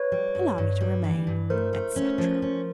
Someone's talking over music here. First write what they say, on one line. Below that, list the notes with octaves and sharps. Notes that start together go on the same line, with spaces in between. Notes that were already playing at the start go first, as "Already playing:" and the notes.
Allow me to remain, etc.
Already playing: B4 C#5
G3
G2
G2
G3
E3
G2
A3 A#4 C5
A3
C#4
F3
C#4